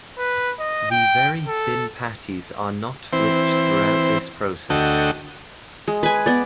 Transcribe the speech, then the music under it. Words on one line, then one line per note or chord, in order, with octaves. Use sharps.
The very thin patties are not flipped throughout this process.
B4
D#5
G5
A4
E3 C4 C5
D2 F#4 A4 D#5 G5
G#3
B4 G#5
B3 D5